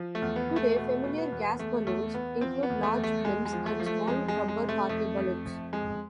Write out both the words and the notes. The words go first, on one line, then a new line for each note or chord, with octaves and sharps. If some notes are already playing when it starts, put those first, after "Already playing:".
Today, familiar gas balloons include large blimps and small rubber party balloons.
Already playing: F3
A3
E2
B3
E2
A3
B2 A3
B2
B3
E2
E2 A3
E2 A3
E2 B3
F3 C4
B3
E2
A3
E2
A3
E2 G#3
G#3
F3
A3
F3
A3
F2 G#3
G#3
F2
G#3
C3
A3
F2 A3
F2
F2
F2 G#3